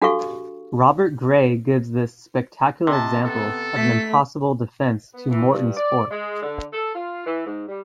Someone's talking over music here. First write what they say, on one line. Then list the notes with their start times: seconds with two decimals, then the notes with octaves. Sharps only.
Robert Gray gives this spectacular example of an impossible defense to Morton's Fork.
0.02 D4 F#4 G4 A4 F5 C#6
2.87 C3 D#5 A5
3.25 B3 A4
3.76 A3 B6
5.14 B3
5.31 E3
5.50 G2
5.77 D5
6.11 G#3
6.42 D3
6.73 A4
6.94 F4
7.26 E3
7.46 G#2
7.68 G3